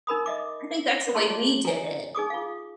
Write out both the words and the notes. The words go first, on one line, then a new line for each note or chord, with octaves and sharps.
I think that's the way we did it.
D#4 A#4 B5 D#6
D#5 E5 D6
E4 F4 G#4 C#5 A5 C6
G#5 A#5
D#4 G#4 D6 D#6
F4 F5